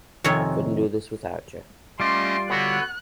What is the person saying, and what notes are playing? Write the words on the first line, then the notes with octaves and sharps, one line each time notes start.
I couldn't do this without you.
F2 C3 D#3 C#5 G#5
G3 A3 C#4 F4 D5 D#5 C6
D3 B3 F#4 C#5 F#6